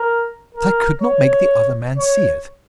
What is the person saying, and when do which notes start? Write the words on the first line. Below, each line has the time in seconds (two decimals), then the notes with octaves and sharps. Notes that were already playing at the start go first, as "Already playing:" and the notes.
But I could not make the other man see it.
Already playing: A#4
0.55 A#4
1.02 C#5
1.98 C#5